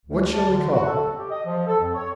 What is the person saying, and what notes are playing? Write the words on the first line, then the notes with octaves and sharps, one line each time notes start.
What shall we call it?
D2
A5
D3
F#4
A4
G4
D#5
F3
A4
F2
C#5